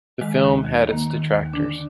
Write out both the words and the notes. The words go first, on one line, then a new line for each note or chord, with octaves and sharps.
The film had its detractors.
D#3 G#3
D#2
D#2
D#3 A#3
D#3
D#2
D3 D4